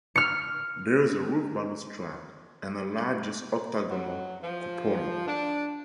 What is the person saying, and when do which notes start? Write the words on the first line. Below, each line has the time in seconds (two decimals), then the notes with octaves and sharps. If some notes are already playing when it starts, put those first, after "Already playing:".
There is a roof balustrade and a largish, octagonal cupola.
0.16 F6 C#7
3.90 F#3
4.43 F3
5.27 D4